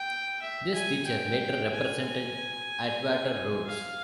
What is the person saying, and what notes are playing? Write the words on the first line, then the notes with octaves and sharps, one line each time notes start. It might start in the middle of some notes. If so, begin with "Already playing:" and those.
This teacher later represented Atwater-Rhodes.
Already playing: G5
E5
G#5
G5
G#5
F5